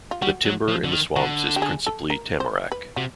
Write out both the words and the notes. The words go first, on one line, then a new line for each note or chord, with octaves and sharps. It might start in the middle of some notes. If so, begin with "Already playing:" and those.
The Timber in the Swamps is principally Tamarac.
F4
G3 F#4
F#3
F3
D3
D#3
D3 F#4
G4
G#4
A4
A#4
C5
B4
C3 F#4